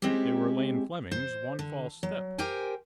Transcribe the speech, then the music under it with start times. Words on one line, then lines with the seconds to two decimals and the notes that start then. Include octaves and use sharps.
They were Lane Fleming's one false step.
0.02 G#3 C4 C#4 E4 G4
1.12 C5
1.59 D3
2.03 F#3
2.38 G4 A#4 C5 G5 G#5